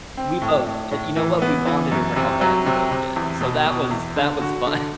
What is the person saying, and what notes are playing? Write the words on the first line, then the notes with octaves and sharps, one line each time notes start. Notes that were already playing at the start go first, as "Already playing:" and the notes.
We both, uh, you know what, we bonded over how bad we both did, so, that was that was fun.
C4
A2
A2
A2
E3
B3
E3
F#2
C3
F#3
C3
C3
E2
B2
B2
E2
D3
F#4
D3